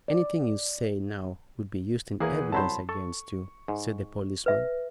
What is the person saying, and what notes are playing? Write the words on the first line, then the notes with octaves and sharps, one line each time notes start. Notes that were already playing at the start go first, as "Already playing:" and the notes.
"Anything you say now will be used in evidence against you," said the policeman.
D5
E2 E3 A#3 G#4 B4
C2 F#3 C5 A5 B5 C6
A4 C#6
G#2
B4 E5